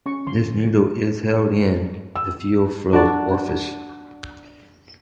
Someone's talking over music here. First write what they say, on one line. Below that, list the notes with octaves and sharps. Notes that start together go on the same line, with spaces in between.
This needle is held in the fuel flow orifice.
C#4 C#6
D3 F3 C6
E6
D4 F#4 D5